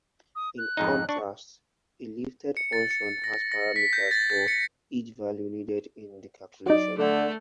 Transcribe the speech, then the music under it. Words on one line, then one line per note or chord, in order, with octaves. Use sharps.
In contrast a lifted function has parameters for each value needed in the calculation.
D#6
F#6
F2 G#2 D#4
D4 C#6
C#7
A6
C#7
A#6
A#6
B6
G6
A6
A6
C#7
F#3 D#4 D5
D3 A3